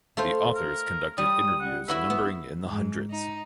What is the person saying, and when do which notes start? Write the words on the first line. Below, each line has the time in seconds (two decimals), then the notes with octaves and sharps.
The authors conducted interviews numbering in the hundreds.
0.17 A3 F4 C5
0.55 A#4
1.18 G3 D#6
1.61 F#5
1.88 E4 F#4 B4 E5
2.10 B3
2.70 G#2
3.09 D#4